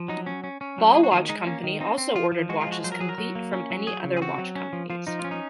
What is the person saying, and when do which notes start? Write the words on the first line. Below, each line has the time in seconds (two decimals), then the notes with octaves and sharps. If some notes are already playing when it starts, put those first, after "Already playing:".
Ball Watch Company also ordered watches complete from other watch companies.
Already playing: F3
0.08 F#3 D#4
0.26 C#4
0.44 C#4
0.61 C#4
0.78 F#3
0.94 A#3 G#4
1.03 F#4
1.12 D#3 F4
1.29 G#3 D#4
1.47 A#3 C#4
1.64 D#3
1.81 C4 D#4
1.98 C4
2.15 F3 F4
2.32 F3
2.49 G#3 F#4
2.61 F4
2.67 F3
2.72 F#4
2.84 F#3 C5
2.92 A#4
3.00 F#3 G#4
3.09 A#4
3.18 F#3
3.35 A#3
3.53 C#4
3.70 F#3
3.87 F#3 G#4
4.04 C#3
4.17 G#4
4.22 C4 F#4
4.38 F#3
4.55 C#4
4.73 F3
4.90 F3 F4
5.07 F3 D#4
5.19 F4
5.24 C#4
5.31 D#4